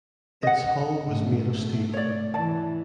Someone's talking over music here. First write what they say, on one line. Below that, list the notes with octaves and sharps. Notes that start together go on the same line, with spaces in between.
Its hull was made of steel.
D#5 F#5
G#2 C3 A3
C#5 D5
E3 D5 A5